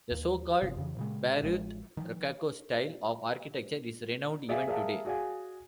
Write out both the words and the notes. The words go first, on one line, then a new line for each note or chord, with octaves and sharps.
The so-called "Bayreuth Rococo" style of architecture is renowned even today.
D#2
G1 C3
F2 C#3 E3
A#2 C#3 G#3
A1 G#3
D#3 F3
G#4 D5 E5 F5 G#5
G#4 A#4 D5 E5 F5 A5
F#4 G#4 D5 F5 G#5